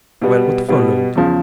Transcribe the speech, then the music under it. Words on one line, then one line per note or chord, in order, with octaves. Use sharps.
"Well, what followed?"
B2 G3 B3
B2 G3 B3
E2 C#3 F3